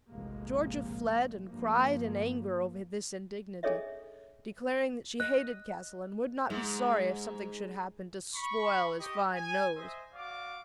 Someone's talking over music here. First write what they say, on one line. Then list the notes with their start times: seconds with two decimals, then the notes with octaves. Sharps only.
Georgia fled, and cried in anger over this indignity, declaring that she hated Castle and would not be sorry if something should happen to spoil his fine nose.
0.11 F1 A#1 F2 A2 G#3 A#3
1.50 G2 F3 A#3
3.63 D4 G#4 A4 C#5 D#5 E5
5.20 D#5 F#6
6.50 G#2 G#3
8.35 B5 C#6
8.99 G4 D#5
9.33 G#5
9.76 C5 D#5 E5
10.14 F#4 D5 F5 D6